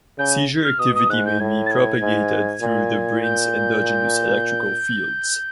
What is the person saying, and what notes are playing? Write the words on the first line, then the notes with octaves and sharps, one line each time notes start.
Seizure activity may be propagated through the brain's endogenous electrical fields.
C#3 G6
F6
B2 D#6
D#6
G#2 F#6
G6
A2 G#6
A6
G#6
G#2
A#2
G6